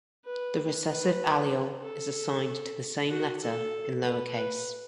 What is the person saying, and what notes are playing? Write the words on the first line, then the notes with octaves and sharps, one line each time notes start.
The recessive allele is assigned the same letter in lower case.
B4
B4
A4
F#4
A4
B4
B4